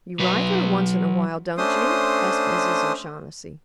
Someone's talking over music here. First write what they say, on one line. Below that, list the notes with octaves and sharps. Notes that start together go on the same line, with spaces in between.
"You write her once in a while, don't you?" asked Mrs. O'Shaughnessy.
F#3 B4
A3 C#4 D4 C5 C6 D#6